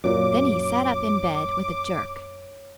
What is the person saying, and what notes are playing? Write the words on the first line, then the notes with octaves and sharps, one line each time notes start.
Then he sat up in bed with a jerk.
F#2 A#2 C#5 D6